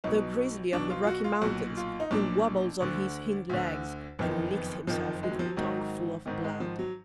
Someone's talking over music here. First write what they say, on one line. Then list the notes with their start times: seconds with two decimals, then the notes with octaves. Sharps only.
The grizzly of the Rocky Mountains, who wobbles on his hind legs, and licks himself with a tongue full of blood.
0.04 B1 B2 D#4
0.73 B1 B2 D4
0.90 F4
1.03 F4
1.07 F#4
1.24 F4
1.41 B1 A#2 F#4
1.77 F4
2.00 D#4
2.11 B1 A#2 D4
2.80 D2 D3
3.49 D2 D3
4.19 F#1 F2 D#3 B3
4.53 B3
4.87 F#1 F2 D#3 F3
5.23 G#3
5.31 F#3
5.39 F3
5.46 F#3
5.57 G#1 G#2 D#3 F#3
6.26 G#1 G#2 D#3
6.44 G#3
6.60 F3
6.79 F#3